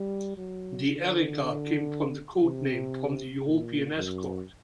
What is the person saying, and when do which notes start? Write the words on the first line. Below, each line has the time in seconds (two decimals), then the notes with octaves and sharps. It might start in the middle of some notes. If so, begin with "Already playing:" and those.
The "Erika" came from the code-name from the European Escort.
Already playing: G3
0.37 F#3
0.88 D3
2.43 C3
3.45 A#2
3.96 F#2